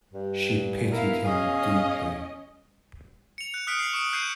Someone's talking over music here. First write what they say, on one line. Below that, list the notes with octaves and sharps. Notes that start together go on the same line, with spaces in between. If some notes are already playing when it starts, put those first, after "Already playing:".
She pitied him deeply.
G2
B3 E4 A#4 F5
B2 C#4 G#4 D#5 F5
C#7 F7
F#6 C#7
D#6 F6 F#6 B6 C#7 D7
C7 C#7 F7
C#6 D#6 D7
F#6 G6 C7 C#7 D#7